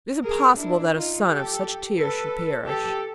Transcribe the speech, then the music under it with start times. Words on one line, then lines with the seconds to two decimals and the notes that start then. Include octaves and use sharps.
"It is impossible that a son of such tears should perish."
0.24 G#4 A#4
0.58 D4 E4
0.93 D#4 F4
1.28 G4 A4
1.96 A4 B4
2.65 G4 A4